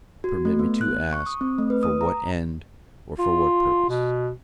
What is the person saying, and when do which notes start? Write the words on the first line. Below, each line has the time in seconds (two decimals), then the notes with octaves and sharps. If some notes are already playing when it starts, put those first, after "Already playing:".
Permit me to ask, for what end, or for what purpose?
0.24 F#4
0.45 A3
0.59 B3
0.81 F#6
1.13 C#6
1.26 D#6
1.41 C4
1.58 A3
1.70 B4
1.83 D#6
2.01 A#5
3.19 F4
3.89 B2